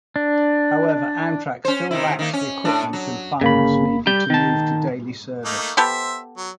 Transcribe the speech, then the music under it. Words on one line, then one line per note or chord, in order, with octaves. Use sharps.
However, Amtrak still lacks the equipment and funds needed to move to daily service.
D4
C#4 C5
C3 D#3 E4
D#3 A#3
C#4
A2 D4
F#3
G1 C#3 A#3 B5
G3 G6
D#3 A5
A3 A#3 D#4
B3 G4 A4 C5 E5
F#3